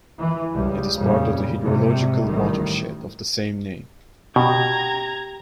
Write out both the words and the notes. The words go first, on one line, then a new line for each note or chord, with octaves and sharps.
It is part of the hydrological watershed of the same name.
E3
C#2 G3 G#3
F2 A#2 C#3 G3
G#2 C3 G3
A1 D#3 G3
B2 G4 A#5 G#6